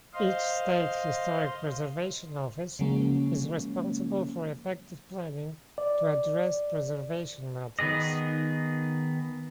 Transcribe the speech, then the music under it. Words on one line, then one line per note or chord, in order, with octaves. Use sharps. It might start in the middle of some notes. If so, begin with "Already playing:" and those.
Each State Historic Preservation Office is responsible for effective planning to address preservation matters.
C5 D#5 F5 C6
C#3 F3 F#3 G#3 A#3 C#4
D5
D#3 B3 G#4 D#5